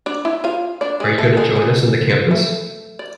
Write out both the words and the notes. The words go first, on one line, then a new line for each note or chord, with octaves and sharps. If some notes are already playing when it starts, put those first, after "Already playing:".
Are you gonna join us in the campus?
D4 D5
E4 E5
F4 F5
D4 D5
G#3 G#4
A3 A4
G#3 G#4
G#3 G#4
A3 A4
D5